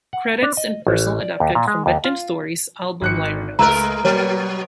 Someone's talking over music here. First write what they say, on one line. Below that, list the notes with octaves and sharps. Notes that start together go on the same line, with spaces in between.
Credits and personnel adapted from "Bedtime Stories" album liner notes.
F#5
D4
D#5
A1
D5
D#2
A#2
G#3
D#2
F4
G#1 F#6 C#7
C#2 G#3 A#4 A#5 E6 F#6
B2 F#3 A#3 C#5